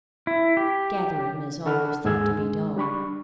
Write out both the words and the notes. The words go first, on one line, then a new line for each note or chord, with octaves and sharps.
"Gatherum is always thought to be dull."
E4
G4
D3 A4 F#5 B5 F6
D#2 G#2 G#4 G#5 E6 G#6
G#3
G3 D4 B5 C#6